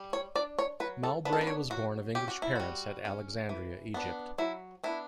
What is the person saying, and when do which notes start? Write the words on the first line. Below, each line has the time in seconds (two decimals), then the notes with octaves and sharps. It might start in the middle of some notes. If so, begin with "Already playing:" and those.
Mowbray was born of English parents at Alexandria, Egypt.
Already playing: G3
0.13 C#5
0.35 D4 D5
0.59 C#5
0.80 F#3 B4
1.03 A4
1.25 B3 D4 B4
1.33 A4
1.41 B4
1.47 C#5
1.70 F#3 F#4
2.15 C#4 G4
2.28 F#4
2.42 E4
2.56 G3 F#4
3.05 C#4
3.49 E3
3.94 B3 D4
4.38 F#3 E4
4.84 B3 D4 E4